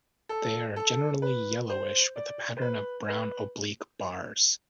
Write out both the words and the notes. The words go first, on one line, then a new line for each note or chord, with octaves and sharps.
They are generally yellowish with a pattern of brown oblique bars.
A4
A4
B4
C5
D5
C5
B4
B4